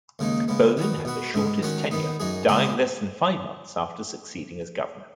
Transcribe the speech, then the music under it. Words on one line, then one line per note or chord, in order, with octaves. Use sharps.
Bolin had the shortest tenure, dying less than five months after succeeding as governor.
D#2 C#3 G#3 D#4
C#3 G#3 B3
D#3 B3 F#4
B2 B3 F#4
G#2 G#3 B3
D#3 G#3 C#4 F#4
D#3 B3 D#4
F#2 F#3 D#4 G#4
C#2 C#3 G#3 B3 G#4